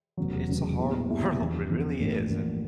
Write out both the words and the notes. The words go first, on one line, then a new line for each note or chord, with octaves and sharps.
it's a hard world. It really is, and,
F1 E2 C#3 F#3
F1 E2 C#3 F#3
A#2 G3 B3 E4 G#4
A#2 G3 B3 E4 G#4
E2 C#3 F3
E2 C#3 F3
A1 A2 F3 A#3 D4
A1 A2 F3 A#3 D4